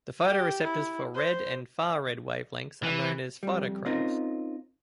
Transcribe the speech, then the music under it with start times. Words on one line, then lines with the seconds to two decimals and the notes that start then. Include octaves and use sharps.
The photoreceptors for red and far-red wavelengths are known as phytochromes.
0.24 G4
0.62 E4
1.15 C5
2.83 E3
3.43 F2 G3
3.86 C4 C#4 D#4 F4 A#4